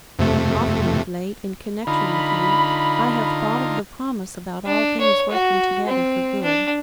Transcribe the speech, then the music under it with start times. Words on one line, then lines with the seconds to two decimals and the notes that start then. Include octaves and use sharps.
Often of late, in connection with you, I have thought of the promise about all things working together for good.
0.19 F2 C3 A3
1.87 D3 D#4 F4 B5
4.66 D4
5.00 C#5
5.30 F#4
5.87 C4
6.43 D4